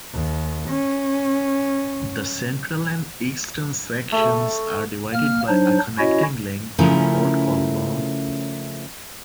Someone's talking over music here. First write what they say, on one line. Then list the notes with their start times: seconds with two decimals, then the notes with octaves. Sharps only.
The central and eastern sections are divided by a Connecting Link through Port Colborne.
0.12 D#2
0.69 C#4
4.12 A3
5.14 A#3 F6
5.48 F#3 D4 D#4 C5
5.98 C#4 E4 F#4 C#5 D#5
6.79 C#3 F3 A3 C#4 E4 A#4